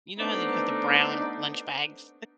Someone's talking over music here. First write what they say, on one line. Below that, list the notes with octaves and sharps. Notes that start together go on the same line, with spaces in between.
you know how you have the brown lunch bags?
A3 B3 C4 D4 D#4